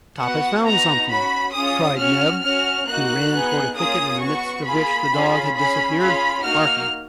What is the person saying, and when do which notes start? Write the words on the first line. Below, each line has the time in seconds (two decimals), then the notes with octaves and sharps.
"Top has found something!" cried Neb, who ran towards a thicket, in the midst of which the dog had disappeared, barking.
0.19 B3 F#4 F#5
0.64 B3 D#4 F#4 A#5
1.09 C#4 F#4 B5
1.53 C#4 F4 G#4 D#6
1.98 C#4 F#4 F6
2.42 C#4 F#4 F6
2.87 A#3 D#4 F#4 F#6
3.31 B3 D#4 G#4
3.77 A#3 C#4 F4 G#4 D#6
4.21 B3 F#4 C#6
4.65 A#3 F4 G#4 B5
5.10 C#4 F4 G#4
5.55 C#4 G#4 B5
5.99 C#4 F4 G#4 B5
6.44 A#3 D#4 F#4 F6